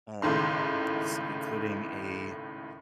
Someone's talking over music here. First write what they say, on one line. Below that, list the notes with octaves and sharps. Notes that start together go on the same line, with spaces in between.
um, s including a,
G#1 C#2 A2 D#3 C6